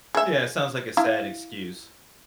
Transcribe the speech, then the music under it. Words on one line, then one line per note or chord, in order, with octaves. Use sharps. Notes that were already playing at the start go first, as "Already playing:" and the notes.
Yeah, it sounds like a sad excuse.
G#4 E5
E4 F5